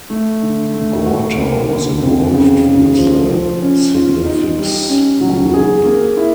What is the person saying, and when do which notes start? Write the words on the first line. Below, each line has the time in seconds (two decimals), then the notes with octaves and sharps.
Gorter was involved with the Significs group.
0.10 A3
0.42 D3
0.74 A3
1.06 F#4
1.38 A#3
1.70 D3
2.02 F2
2.34 C#3
2.65 C#3
2.98 F3
3.30 F3
3.62 C#4
3.94 F4
4.25 D#4
4.58 G3
4.89 C#4
5.21 F#3
5.54 G#4
5.86 A#3
6.17 E4